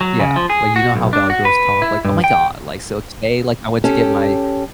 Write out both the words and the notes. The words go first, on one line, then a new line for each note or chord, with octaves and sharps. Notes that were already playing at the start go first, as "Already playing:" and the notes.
Yeah, like, you know how valley girls talk? Like, "Oh my god, like, so today, like, I went to get my"
F#3
C#3
F3
G#4
F#4
B1
D4
F#4
B4
E4
G2
G5
C#4 G4 A4